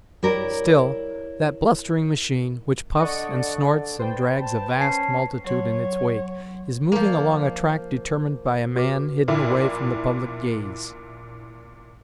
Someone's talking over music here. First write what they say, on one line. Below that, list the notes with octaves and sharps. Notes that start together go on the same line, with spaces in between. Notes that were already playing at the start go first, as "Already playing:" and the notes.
Still that blustering machine, which puffs and snorts, and drags a vast multitude in its wake, is moving along a track determined by a man hidden away from the public gaze.
E4 G4 A#4 C#5 D5
D3 D5 D#5 F#5 C#6
D5
B4 C5 G5
A5
C#4 A5 C7
F#3 C#5 F#5 C6
F3 A#3
D5
F#4 B4 D6
A#1 A#2 E4